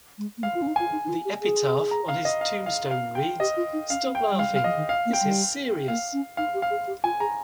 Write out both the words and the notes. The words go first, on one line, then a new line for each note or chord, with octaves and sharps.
The epitaph on his tombstone reads, 'Stop laughing, this is serious'.
G#3
A#3
G#3 F5
F4
C#4
D#4
F4 G#5
D#4
D#4
F4
G4
G#4
A#5
F5
D#5
F5
F5
F5
G5
G4 D#5
F4
D#4
C#4 F5
C4
G5
G3
G#3 F5
G3
F5
F3 D#5
D#3
F5
A#3
G5
G3
A#3 F5
C#4
D#4 F5
G4
F5
G#4
G4
F4 G#5
G#4 A#5